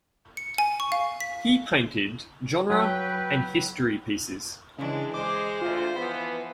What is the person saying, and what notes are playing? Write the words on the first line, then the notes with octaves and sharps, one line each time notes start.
He painted genre and history pieces.
C#7
G#5
C#6
F5
B6
F#3 B4 G5
C#3 E3 G#3 D4
G#3 C5 D6
D2 F4
E3 F3 B3 B5